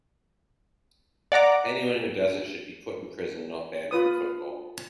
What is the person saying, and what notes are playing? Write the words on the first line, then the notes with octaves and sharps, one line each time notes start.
Anyone who does it should be put in prison - not banned from football.
D5 F#5 A#5 D6
F4 B4 D#6